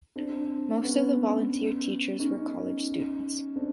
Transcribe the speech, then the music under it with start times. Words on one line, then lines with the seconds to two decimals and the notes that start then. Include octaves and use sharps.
Most of the volunteer teachers were college students.
0.16 C4 D4
0.83 B3 C#4
2.20 C#4 D#4
3.56 C4 D4